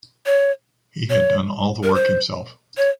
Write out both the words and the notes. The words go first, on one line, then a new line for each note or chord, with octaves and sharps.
He had done all the work himself.
C#5
C#5
A#4
C5
C#5